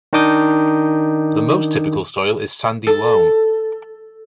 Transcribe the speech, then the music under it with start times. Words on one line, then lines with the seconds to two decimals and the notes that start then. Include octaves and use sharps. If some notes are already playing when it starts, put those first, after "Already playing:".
The most typical soil is sandy loam.
0.13 D#3 D4 D#4 D6 D#6 G6
2.87 A4